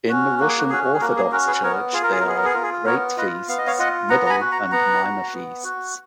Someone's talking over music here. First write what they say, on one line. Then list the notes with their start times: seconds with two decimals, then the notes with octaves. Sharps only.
In the Russian Orthodox Church they are: Great Feasts, middle, and minor feasts.
0.09 C#4 F#4
0.39 A#3 F#4
0.48 G#4
0.58 F#4
0.70 C#4 F#4 G#4
0.84 F#4
0.94 G#4
1.00 A#3 F#4 A#4
1.17 G#4
1.32 C#4 F#4 A#4
1.47 G#4 B4
1.63 B3 A#4 C#5
1.93 F4 G#4
2.03 A#4
2.11 G#4
2.20 A#4
2.24 B3 G#4
2.37 A#4
2.45 G#4
2.54 F4 A#4
2.63 G#4
2.86 B3 A#4 C#5
3.17 F4 B4 D#5
3.48 B3 F5
3.58 D#5
3.67 C#5 F5
3.79 F4 D#5 F#5
4.09 B3 F#5 A#5
4.26 A#5
4.30 G#5 B5
4.41 F#4
4.51 F#5 A#5
4.72 B3 F#5 A#5
5.03 F#4
5.33 B3
5.64 F#4